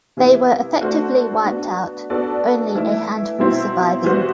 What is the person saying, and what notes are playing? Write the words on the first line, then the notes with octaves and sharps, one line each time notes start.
They were effectively wiped out, only a handful surviving.
C3 E3 B3 E4
A3 D4 F#4 A4 C5
B3 D4 F#4
B3 D4 F#4 A4 D5
E3 A3 E4
B2 F#3 C4 E4
E3 G3 B3 F#4 C5